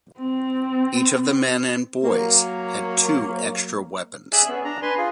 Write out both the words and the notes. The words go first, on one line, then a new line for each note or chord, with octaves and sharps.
Each of the men and boys had two extra weapons.
C4
F#3 A#3
G#4 D5 E5 G#5 E6 F#6
B3 C#4
D4 A#5
B4 G#5 C6
F4 G#4